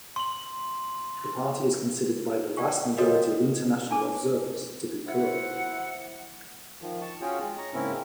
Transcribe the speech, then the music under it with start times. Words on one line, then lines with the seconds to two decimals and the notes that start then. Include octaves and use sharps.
The party is considered by the vast majority of international observers to be corrupt.
0.16 C6 F#7
2.57 D5 F5 G5 C#6
2.97 F#4 A4 C#5 D#5 F5 G5
3.90 D4 G#5 A5 D6
5.06 E4 C5 F#5
6.82 D#3 F3
7.02 A5 C#6
7.21 C#4 F4 F#4 G#4 C#5 G5
7.43 G#3
7.58 C#5 A#5 C#6
7.74 G#2 C#3 A#3 C4 C#4 E4